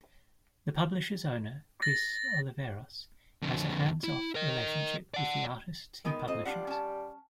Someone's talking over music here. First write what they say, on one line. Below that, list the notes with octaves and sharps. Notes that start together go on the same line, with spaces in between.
The publisher's owner, Chris Oliveros, has a hands-off relationship with the artists he publishes.
A6 A#6
F2 D3
E4
A#4 D#5
D5 F#5
D#3 G#3 B3 D#4
F2 C4 D#5
G3 D4 F4 F#5
C#4 A5